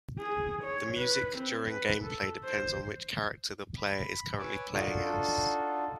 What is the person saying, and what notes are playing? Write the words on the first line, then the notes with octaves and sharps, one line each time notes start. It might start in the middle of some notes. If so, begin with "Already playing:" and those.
The music during gameplay depends on which character the player is currently playing as.
G#4
C#5
B4
C4
B4
A4
C5
B5
B4 C#5 G#5 D6 E6
D4 D#4 F4 F#4 A4